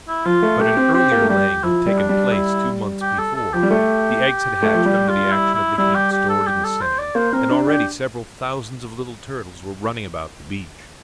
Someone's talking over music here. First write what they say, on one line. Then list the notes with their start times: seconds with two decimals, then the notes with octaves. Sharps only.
But an earlier laying had taken place two months before, the eggs had hatched under the action of the heat stored in the sand, and already several thousands of little turtles were running about the beach.
0.08 E4
0.25 F3 F4
0.43 A3
0.60 A3 G4
0.77 C4
0.94 C4 G4
1.11 A#3
1.22 A3
1.29 G3 G4
1.63 F3 E4
1.86 G3
1.98 D4
2.09 G3
2.32 E4
3.01 G4
3.18 A4
3.36 A4
3.53 F3 G4
3.63 G3
3.70 A3 G4
4.63 A3
4.74 F3
4.85 G3
5.08 F4
5.31 E4
5.54 E4
5.78 G3 E4
5.94 G4
6.12 G4
6.29 A4
6.47 G4
6.64 A4
6.81 C5
6.98 D5
7.15 A#3 C5
7.33 C4 A#4
7.50 D4
7.67 D4 G4